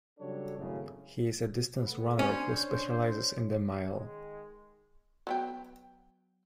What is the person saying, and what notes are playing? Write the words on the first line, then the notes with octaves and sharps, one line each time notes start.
He is a distance runner who specializes in the Mile.
C#3 F#3 G3 D4 A4 C#5
G#1 F#2 A2 C#3
A3 B3
C#4 D4 C5
D#3 G#3
F#3 B3 G5